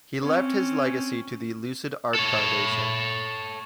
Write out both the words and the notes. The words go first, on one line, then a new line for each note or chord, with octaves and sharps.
He left his legacy to the Lucid Art Foundation.
C4 C#4
A4 C#5